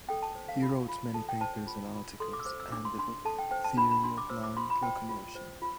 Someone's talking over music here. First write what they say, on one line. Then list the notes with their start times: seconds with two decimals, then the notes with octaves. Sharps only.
He wrote many papers and articles, and the book "Theory of Land Locomotion".
0.09 A4 G5
0.22 A5
0.35 C5
0.48 F5
0.62 F4
0.88 F4
1.14 A4 A5
1.29 G5
1.41 C5 A5
1.67 F4
1.94 F4
2.20 A4 C6
2.33 D6
2.40 E6
2.45 C5 D6
2.60 E6
2.72 D4 D6
2.85 C6
2.98 D4 C6
3.25 A4 A5
3.39 G5
3.51 C5 G5
3.64 A5
3.77 D4 B5
3.91 B5
4.04 D4 C6
4.18 D6
4.30 C5 E6
4.44 D6
4.57 F4 C6
4.70 B5
4.82 C5 G5
5.09 F4
5.35 C5
5.62 F4